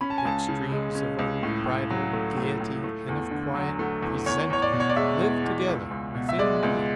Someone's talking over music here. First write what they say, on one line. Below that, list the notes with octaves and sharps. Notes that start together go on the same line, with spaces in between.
The extremes of unbridled gayety and of quiet presentiment live together within me.
C#4 B5
A5
G#5
C#2 A5
C#3
G#3
C#4
C#2
A2
A2
F#3
A3
A2
A2
A3
E2
D3
F#3
A3
E2
E2 C#5
E2 C#5
D5
B2
C#5
D5
G#3 E5
E2
E2
C#2
C#2
B2
E5
G#3 D5
C#2